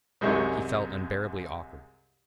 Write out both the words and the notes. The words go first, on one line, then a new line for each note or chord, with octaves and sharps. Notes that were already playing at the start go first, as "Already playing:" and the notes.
He felt unbearably awkward.
C2 F#2 C3 G#3 D#4 C#6